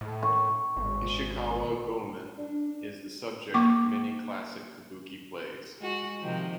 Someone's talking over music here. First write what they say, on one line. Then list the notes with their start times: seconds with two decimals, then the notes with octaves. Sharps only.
Ishikawa Goemon is the subject of many classic kabuki plays.
0.01 A2
0.23 C#6
0.77 G#1
2.37 D4
3.54 A#3 C#6 D6
5.79 G#3 F#4
6.21 C3 D#3 F3